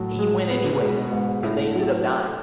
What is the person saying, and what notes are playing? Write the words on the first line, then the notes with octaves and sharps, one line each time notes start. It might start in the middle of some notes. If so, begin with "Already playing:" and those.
he went anyways, and they ended up dying.
Already playing: A2 F#3
G#3
B3
D3
C#3
B2 G#3
G#2
A2 E4
F#3